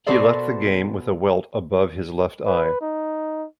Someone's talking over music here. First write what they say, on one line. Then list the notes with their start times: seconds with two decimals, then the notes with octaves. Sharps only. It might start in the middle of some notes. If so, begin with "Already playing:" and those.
He left the game with a welt above his left eye.
0.06 B2 F#4 A4 C5 D5 E5
2.46 B4
2.81 D#4